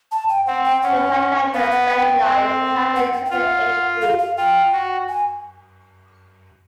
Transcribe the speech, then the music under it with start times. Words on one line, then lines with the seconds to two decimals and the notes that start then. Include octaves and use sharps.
Some psychiatrists specialize in helping certain age groups.
0.12 A5
0.29 G5
0.47 C4 F#5
0.65 G5
0.82 C#4 F#5
1.53 B3 F5
1.72 F#5
1.89 G5
2.24 C4
2.96 F#5
3.13 G5
3.25 G5
3.30 F4 F#5
4.02 F5
4.19 F5
4.37 F4 G5
4.73 F#4
5.09 G#5